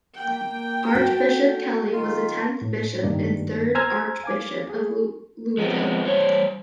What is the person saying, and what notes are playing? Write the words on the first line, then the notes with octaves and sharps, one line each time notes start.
Archbishop Kelly was the tenth Bishop and third Archbishop of Louisville.
A#3 G5
A3 F#4 A4
D#3 F4
A2
G2 D#3 A#3 D4
C5 G#5 A#5 E6 F6 G#6
F5 G#5 D6
G#4
F3 G#3 B3 C4
G3 C5 C#5